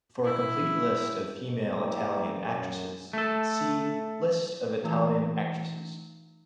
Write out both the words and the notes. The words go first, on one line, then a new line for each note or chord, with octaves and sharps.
For a complete list of female Italian actresses, see: List of Italian actresses.
E4
G#2
A#3 E4 G4 G#4 D5
F#2
A3 A4
E3 A3 D#4